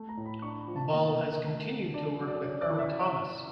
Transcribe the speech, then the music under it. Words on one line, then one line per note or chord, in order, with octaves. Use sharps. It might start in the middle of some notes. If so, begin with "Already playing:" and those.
Ball has continued to work with Irma Thomas.
Already playing: A3
A#5
A2
B5
D4 C#6
B5
F3
A5
A#3 D#5
D3
A3
D3
D4 D5
F#3
D5
C#4 D5
D5
E3
E5